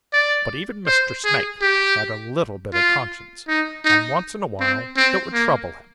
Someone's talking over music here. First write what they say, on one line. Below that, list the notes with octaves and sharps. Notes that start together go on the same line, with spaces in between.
But even Mr. Snake had a little bit of conscience, and once in a while it would trouble him.
D5
C5
G#4
G4
F4
D#4
D#4
C4
C4
A#3